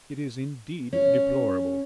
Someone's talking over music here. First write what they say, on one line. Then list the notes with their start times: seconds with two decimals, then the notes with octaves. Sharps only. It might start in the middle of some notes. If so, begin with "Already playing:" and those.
It is indeed deplorable.
0.93 C#4